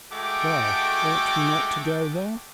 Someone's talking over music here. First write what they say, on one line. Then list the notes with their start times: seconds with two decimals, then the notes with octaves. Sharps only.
"Well, ought we not to go there?"
0.13 G#3 A3 F#4 A4 G5 D6